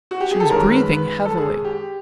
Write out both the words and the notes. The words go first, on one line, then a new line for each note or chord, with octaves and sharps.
She was breathing heavily.
F#4
G4
G#4
A4
F#2 D#3 G#3 C#4 A#4
B4
B4
A4
G#4
G4